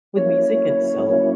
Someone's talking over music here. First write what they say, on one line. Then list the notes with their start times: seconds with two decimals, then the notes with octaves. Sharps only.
with music itself,
0.16 F#3 A#3 C#4 E4 C#5
1.09 F#3 A#3 C#4 E4